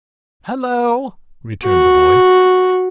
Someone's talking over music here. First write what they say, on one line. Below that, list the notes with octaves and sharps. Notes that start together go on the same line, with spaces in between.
"Hallo!" returned the boy.
F#4